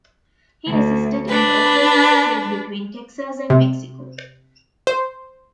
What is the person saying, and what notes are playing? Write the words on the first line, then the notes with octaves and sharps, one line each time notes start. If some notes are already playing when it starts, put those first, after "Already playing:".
He assisted in the opening of trade between Texas and Mexico.
D2
D4 B4
C3
C5